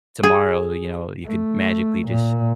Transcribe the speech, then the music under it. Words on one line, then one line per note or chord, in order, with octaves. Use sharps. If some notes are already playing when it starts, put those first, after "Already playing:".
tomorrow, you know, you could magically just
G#4
A3
A#2